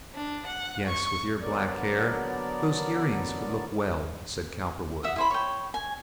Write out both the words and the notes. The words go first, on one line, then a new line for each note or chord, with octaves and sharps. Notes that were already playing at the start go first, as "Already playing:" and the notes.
"Yes, with your black hair those ear-rings would look well," said Cowperwood.
D4
F#5
C#6
D3 F#3 B3 A#4 D5
E5 F#5 D#6
E4 C5 B5
C#5 G5
G#5